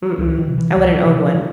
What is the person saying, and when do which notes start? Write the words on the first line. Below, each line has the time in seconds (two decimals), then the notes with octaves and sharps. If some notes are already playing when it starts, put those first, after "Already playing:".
Mm-mm, I wouldn't own one.
0.18 C#2
0.38 D#3
0.48 C3
0.58 E3
0.76 C#2 F3
0.96 F3
1.05 C3
1.15 F3
1.35 F#3